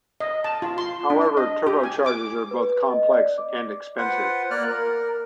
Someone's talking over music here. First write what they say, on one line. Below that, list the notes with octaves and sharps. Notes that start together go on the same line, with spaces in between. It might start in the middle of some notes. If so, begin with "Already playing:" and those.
However, turbochargers are both complex and expensive.
D#5
A5
F4
C6
D4
D#5
G4
G#5
D6
B4
D#5
D5
D6
F4 B4 C5 F#5
A#3 D5 F6 F#6
A#4